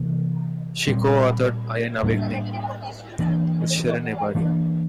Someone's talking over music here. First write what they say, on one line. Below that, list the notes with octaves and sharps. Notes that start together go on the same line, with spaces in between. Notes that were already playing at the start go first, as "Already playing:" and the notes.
She co-authored "Iran Awakening" with Shirin Ebadi.
Already playing: C3 E3 A#3
A#2 G3 C4
A2 G3 A#3 D4
E3 A#3 D4
E3 A#3 D4